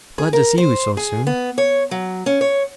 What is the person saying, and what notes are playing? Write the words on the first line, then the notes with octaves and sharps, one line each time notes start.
Glad to see you so soon.
G#4
A#4
C5
G#4
B3
C#5
F#3
C#4
C#5